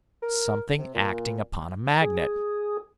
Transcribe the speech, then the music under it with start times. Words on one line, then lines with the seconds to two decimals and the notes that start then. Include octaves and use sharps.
Something acting upon a magnet.
0.22 A#4
0.79 C3
0.95 A#2
2.01 G#4